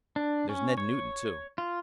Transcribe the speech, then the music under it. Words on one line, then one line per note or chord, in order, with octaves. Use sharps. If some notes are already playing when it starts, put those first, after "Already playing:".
There's Ned Newton, too.
D4
C#4
C#5
F4